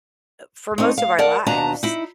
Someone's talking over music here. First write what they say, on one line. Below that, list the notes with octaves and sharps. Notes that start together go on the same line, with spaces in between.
uh, for most of our lives.
A3 C4 D#4
F5
A#4 D5 F#5 A5
D#2 B2 D4 D#4 A5 A#5
D#4 E4